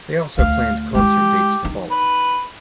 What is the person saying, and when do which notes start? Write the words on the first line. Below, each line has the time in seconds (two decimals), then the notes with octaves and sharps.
They also planned concert dates to follow.
0.38 D2 F5
0.95 G#3 E4 G4
1.65 D#4
1.91 B4